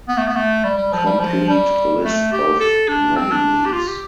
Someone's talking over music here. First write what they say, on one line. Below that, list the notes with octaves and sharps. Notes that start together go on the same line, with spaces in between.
Complete list of nominees.
B3
A3
B3
A3
G3
G3
F3
G3
F3
G3
A3
G4
A4
D4
C4
D4
G4
F4
G4